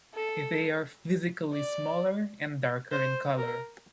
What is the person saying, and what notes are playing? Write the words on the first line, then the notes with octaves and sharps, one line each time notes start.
They are physically smaller and darker in color.
A4
D5
C5
A#4